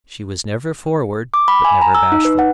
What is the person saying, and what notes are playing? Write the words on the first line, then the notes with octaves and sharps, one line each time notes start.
She was never forward, but never bashful.
D6
B5
G#5
A#5
E6
D#4
B4
F#5